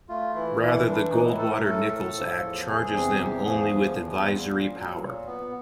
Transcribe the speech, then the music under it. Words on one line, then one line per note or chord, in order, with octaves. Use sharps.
Rather, the Goldwater-Nichols Act charges them only with advisory power.
A3 F4
E3 E4
E3 E4
E3 D4
A2 D#4
E4
A3 A4
A#4
A3 A4
A2
F3
E2
E2 G#4
C3
E2 G4
F3 G#4
E2
E2
A#2
A#2
F#3
A#2
B3